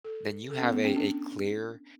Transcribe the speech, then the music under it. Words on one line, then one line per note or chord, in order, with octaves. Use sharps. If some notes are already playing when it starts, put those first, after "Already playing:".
then you have a a clear,
A4
A4
C#4
B3
B3
C#4
D4